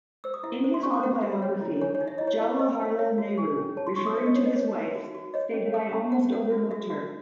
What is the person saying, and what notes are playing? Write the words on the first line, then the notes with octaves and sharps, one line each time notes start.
In his autobiography, Jawaharlal Nehru, referring to his wife, stated I almost overlooked her.
C5 E6
D#6
E4 E5
F#5
C5
C6
C#4 C#6
D#6
C5 F#5
F#4
C#5
E4
C#5 G#5
C#5
D#4
E5
E4 D#5
C#5
E4 D#5
C5 D#5
C#4
C#5 E5
F#4
G#4 G#5
C#4
C#5 A5
C6
D#4 C#6
D#6
C5 E5
D#5
D#4 C#5
D#5
C#5
D#4
F#4
F#4
C#5 D#5
C#4
A4
C#4
C5 F#5
C#4 F#5
F#4
F#4 E5
F#4